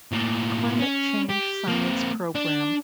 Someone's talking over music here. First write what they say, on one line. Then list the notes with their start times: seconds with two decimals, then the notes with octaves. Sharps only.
Climate Change Science Program.
0.12 A2 A#3
0.79 C#4
1.29 G4
1.68 A#3 C4
2.35 D4